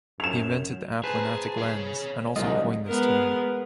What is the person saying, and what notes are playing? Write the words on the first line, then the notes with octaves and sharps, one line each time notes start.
He invented the aplanatic lens and also coined this term.
F#2 E7 F7
G#4 B4 C5 G#5 A5
C#5 F5
C2 D3 F#3 G#3 F4 D#5
G#3 B3 A#4